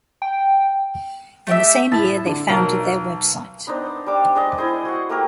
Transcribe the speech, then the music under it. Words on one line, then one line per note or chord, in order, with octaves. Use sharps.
In the same year, they founded their web site.
G5
A3 G4 E5
A2 A5
D3
B1 A#4
B3 D4 D#4 C5
G3 D4 D6
G#3 D4 D#5
E4 G#4 C5 D#5
F#4 F#5
A3 A#3 G4 A#4